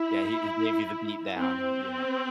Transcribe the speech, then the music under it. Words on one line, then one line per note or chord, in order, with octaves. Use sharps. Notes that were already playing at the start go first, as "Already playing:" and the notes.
Yeah. Yeah, he he gave you the beat down, yeah.
Already playing: E4
C4